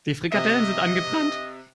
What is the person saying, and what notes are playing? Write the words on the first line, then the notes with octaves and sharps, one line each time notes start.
Die Frikadellen sind angebrannt.
C3 D#5 E5